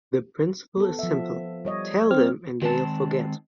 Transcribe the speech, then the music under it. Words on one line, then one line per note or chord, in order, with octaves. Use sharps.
The principle is simple: Tell them and they'll forget.
B3 A4
F3 E5
G3 C#5 D#5
C4 F6
D#3 G#3 C4 G4 A5